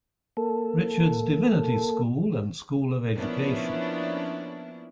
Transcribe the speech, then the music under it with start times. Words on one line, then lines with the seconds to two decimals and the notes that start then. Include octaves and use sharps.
Richards Divinity School, and School of Education.
0.37 A#3 A4
3.17 F3 A#3 B3 C#4 D4 E4